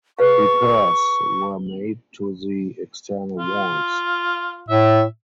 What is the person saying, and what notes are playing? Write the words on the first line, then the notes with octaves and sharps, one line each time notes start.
Repairs were made to the external walls.
G#4 B4 F5 C#6
F4
A2 E5